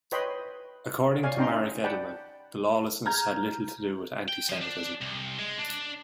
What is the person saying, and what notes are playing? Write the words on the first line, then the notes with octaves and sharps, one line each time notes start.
According to Marek Edelman the lawlessness had little to do with antisemitism.
B4 C#5 D#5 G5 B5 C6
C#5 D5 F5 G#5
C#4 D#4 G5 A#5 C6
D5 F#5 G5 A5 B5
A#5 F6 G6 G#6
G5
F3
D4
C2
G#3
D4